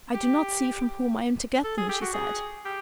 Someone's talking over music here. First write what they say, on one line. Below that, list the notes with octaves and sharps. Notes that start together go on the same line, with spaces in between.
"I do not see from whom I am to get them," she said.
G4
A4
G#4
G4
F#4
G#4
G4